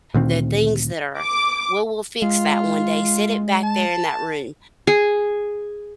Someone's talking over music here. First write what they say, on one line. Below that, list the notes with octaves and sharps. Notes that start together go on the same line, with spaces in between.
the things that are, "Well, we'll fix that one day," set it back there in that room.
D2 A#2 D#3 C4
D6
G#3 F4
A5
G#4